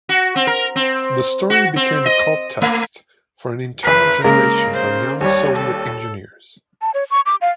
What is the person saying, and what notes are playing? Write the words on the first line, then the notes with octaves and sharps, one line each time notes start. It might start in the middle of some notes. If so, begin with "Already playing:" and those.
The story became a cult text for an entire generation of young Soviet engineers.
F#4
C4
A#4
C4
F#4
C4
D#5
A3
F#1 B4 B6 C7
C#3 G#3 A#3 A#4
C5
D#2 G3 C#5
A4
A5
C#5
C#6
D6
F5